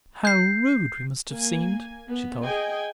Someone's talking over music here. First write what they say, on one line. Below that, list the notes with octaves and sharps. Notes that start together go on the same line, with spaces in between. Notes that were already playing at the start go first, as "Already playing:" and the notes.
"How rude we must have seemed!" she thought.
G6 C7
A#3 G#5
B3
G#4 D#5 G5 G#5